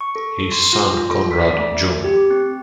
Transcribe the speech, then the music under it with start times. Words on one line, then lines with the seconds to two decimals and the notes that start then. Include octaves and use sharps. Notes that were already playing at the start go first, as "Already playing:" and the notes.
His son Conrad jun.
0.01 C#6
0.16 A4
0.52 C6
0.73 F4
0.94 F4
1.11 A4
1.31 B6
1.44 D5
1.59 A3
2.04 G4
2.30 C4